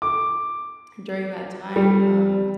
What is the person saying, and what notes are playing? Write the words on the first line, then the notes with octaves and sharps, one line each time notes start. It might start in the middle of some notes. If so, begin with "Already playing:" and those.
during that time, um,
D6
G3